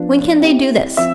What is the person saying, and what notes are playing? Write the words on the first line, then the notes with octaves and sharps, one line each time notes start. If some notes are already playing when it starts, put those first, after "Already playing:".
When can they do this?'
Already playing: F3 B3 D4
C4 E4 G4
F3 C4 E5